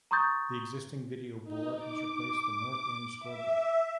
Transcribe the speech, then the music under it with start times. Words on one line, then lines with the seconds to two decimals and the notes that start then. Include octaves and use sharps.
The existing video board has replaced the north end scoreboard.
0.11 A#5 C6 C#6 D#6 G6 A6
1.44 D#4
1.76 D6
3.19 E5